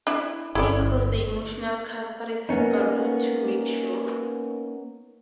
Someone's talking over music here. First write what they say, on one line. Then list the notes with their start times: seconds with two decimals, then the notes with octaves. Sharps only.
He calls the Emotional Catharsis Bureau to make sure.
0.07 D4 E4
0.55 G1 E4 A4 D5
2.49 A#3 B3 C#4 D#4